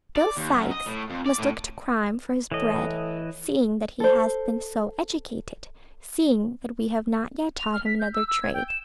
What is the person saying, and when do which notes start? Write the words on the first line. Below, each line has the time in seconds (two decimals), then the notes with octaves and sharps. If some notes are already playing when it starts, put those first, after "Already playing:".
Bill Sykes must look to crime for his bread, seeing that he has been so educated, seeing that we have not yet taught him another trade.
0.16 D5
0.37 D#2
0.53 F#2
0.71 D#5
0.86 A2
1.09 F2
1.26 D5
1.38 A2
2.52 A2 E3 D#5
4.00 A4 C5
7.59 F7
7.73 F6
7.86 B6
8.00 G6
8.14 E6
8.28 E6
8.43 G#6
8.54 G5
8.68 E7